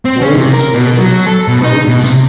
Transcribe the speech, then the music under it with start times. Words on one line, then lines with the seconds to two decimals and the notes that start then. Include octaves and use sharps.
Wolves, whales, crows?
0.05 C4
0.22 C#4
0.36 C3
0.53 A#4
0.75 B2
0.99 F#3
1.27 A4
1.48 B2
1.63 D#4
1.88 B2
2.04 C3